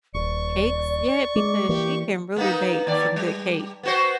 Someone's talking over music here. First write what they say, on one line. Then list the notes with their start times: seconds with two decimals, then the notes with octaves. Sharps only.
cakes yet because she can really bake some good cakes."
0.14 D#1 D5 C#6
1.36 G#3 D6
1.69 E3 A#3 G4
2.36 A#3 B3 D#4
2.87 D#2 D5
3.16 G3
3.83 B3 F#4 C5